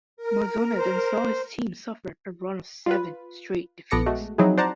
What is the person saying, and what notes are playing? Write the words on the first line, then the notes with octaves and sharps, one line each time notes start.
Mazzone then saw his team suffer a run of seven straight defeats.
A#4
C5
F4 B4
A#1 B3 A4 D6 A#6 C#7
G#3 A3 F#4
F3 F#3 C4 D#4 E4 G#4
C5 D5 F#5 A5 A#5